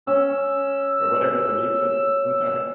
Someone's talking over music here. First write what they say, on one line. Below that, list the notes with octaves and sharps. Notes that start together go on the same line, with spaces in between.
Or whatever the leaf was. I'm sorry.
C#4 E6